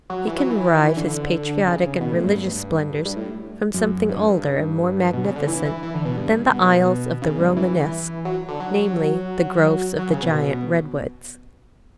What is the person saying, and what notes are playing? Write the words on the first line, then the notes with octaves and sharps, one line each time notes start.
He can derive his Patriotic and Religious Splendors from something older and more magnificent than the aisles of the Romanesque, namely: the groves of the giant redwoods.
F#3
E3
F#3
E3
D3
C#3
B2
A2
G2
G2
A2
F#2
G2
B2
C#3
D3
E3
E3
E3
D3
B2
G2
B2
C#3
G2
E3
F#3
D3
F#3
F#3
C#3
B2